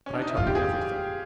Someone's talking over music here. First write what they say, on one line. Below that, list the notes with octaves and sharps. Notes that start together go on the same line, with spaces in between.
"But I tell you everything."
C#4
D4
D#4
E4
F#2 F4
E2 G4
G#4